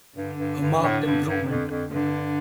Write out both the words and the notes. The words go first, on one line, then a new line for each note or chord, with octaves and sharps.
A marked improvement.
G2 D3
G2
G2
A2
G2
G2
F2
F2
G2 D3